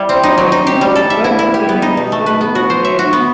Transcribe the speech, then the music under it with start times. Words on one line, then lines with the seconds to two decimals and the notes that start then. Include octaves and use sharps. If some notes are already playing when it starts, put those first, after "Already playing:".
The ship was the first of the name to serve with the navy.
Already playing: G3 E4
0.09 C4
0.23 D#4
0.38 F#3
0.52 D#4
0.67 G4
0.81 G3
0.96 A4
1.10 E5
1.24 E4
1.39 E4
1.54 G4
1.69 B3
1.82 D#4
1.97 B2
2.12 A3
2.26 B4
2.41 B3
2.55 F#4
2.70 C5
2.85 E5
2.99 F#4
3.13 B3